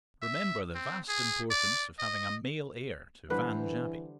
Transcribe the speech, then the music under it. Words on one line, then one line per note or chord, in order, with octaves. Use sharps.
Remember the vast importance of having a male heir to Vange Abbey.
E5
C4
G#4
D5
D#5
D3 E3 G3 B4 C5